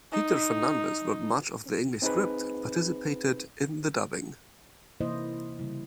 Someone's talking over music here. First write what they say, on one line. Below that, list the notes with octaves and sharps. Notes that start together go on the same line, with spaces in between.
Peter Fernandez wrote much of the English script, and participated in the dubbing.
D#4
C4 D#4 G#4 B4
C3 E3 A#3 E4 C5 D#5
C#3 G3 E4